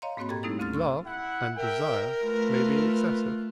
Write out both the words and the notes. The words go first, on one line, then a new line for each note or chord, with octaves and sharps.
Love and desire may be excessive.
C#5 D#5 F5 A#5 C6
G#2 A#3 C4 F#4 C#5 B5
A#2 G4 A4 G5 A#5 G#6
G3 A3 C4 D#4 E4 A4
D2 C#4 C6 F6 A6
C6 C#6 E6
E4 F#5
A#4 E5 G5
A3 F4 B4